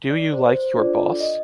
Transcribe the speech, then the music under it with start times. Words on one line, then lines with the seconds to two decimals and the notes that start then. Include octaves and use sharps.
Do you like your boss?
0.10 D5
0.32 C5
0.55 C5
0.76 D4 F4 A4 D5
1.20 D#5